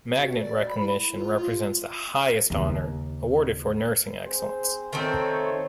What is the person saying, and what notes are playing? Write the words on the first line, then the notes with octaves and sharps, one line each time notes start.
Magnet recognition represents the highest honor awarded for nursing excellence.
F#4
D5
B5
E4
F4
F4
D#2 C#3
C4 G#4 C5
D#3 A3 C4 D#4 C5 C#5